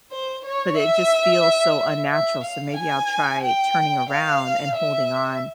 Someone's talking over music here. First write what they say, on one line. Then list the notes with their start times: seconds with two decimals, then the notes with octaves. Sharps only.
but it just feels so unnatural, so maybe I'll try turning around and holding on,
0.12 C5
0.45 C#5
0.78 E5
2.11 E5
2.44 F5
2.77 G#5
3.43 G5
4.09 F5
4.76 E5